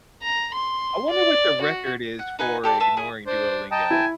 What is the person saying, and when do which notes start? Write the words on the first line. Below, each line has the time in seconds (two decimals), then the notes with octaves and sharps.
I wonder what the record is for ignoring Duolingo.
0.22 A#5
0.54 C6
1.10 D5
1.61 F#4
2.19 F#5
2.39 D#4 B4 F#5 G#5
2.64 G4 A4 D5
2.80 B4 E5 A5 B5
2.97 E4 G#4
3.27 D4 C5
3.71 D#5 G5 A5 A#5
3.91 E4 G#5